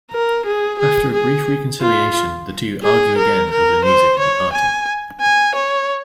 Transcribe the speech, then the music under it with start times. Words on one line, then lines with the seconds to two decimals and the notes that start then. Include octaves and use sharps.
After a brief reconciliation, the two argue again over the music at the party.
0.12 A#4
0.46 G#4
0.79 G#4
1.13 G#4
1.81 F4
2.83 G#4
3.17 A#4
3.51 A#4
3.85 C5
4.19 C#5
4.53 G#5
5.21 G#5
5.55 C#5